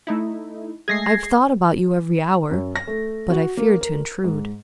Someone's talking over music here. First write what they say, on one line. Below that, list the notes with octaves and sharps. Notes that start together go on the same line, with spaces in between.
"I have thought about you every hour--but I feared to intrude."
A3 D#4 E4
G#3 A3 G#4 G#6 A#6 C7
F#2
A#6
A3
F#4
A#3
A#4
G#2